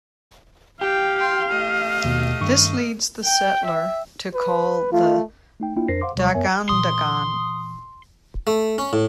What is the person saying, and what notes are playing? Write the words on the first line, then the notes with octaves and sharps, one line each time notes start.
This leads the settler to call the "Dagandagan".
G4 F5 G5
G5 C6
A3 D#5
D#2 B2
G2 D#3 C#6
G5
E5
B4
A3 F4
A3 D#4 G5
A#3 D4 E4 F4 G5
F2 D4 A#4 C5 A#6 C7
C5 F5 F#5 C6 D6
D#2 C3 G3 C#5 C#6
F#2 B3 A#4 C#5 E5 G#5
A#2 E3 C6 D#6
A3
C#4
A2